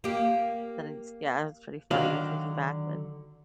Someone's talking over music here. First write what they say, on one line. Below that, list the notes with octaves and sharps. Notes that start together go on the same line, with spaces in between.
then it's, yeah. It was pretty funny looking back. But
A#3 G4
D3 D#3 F#3 F#4 F5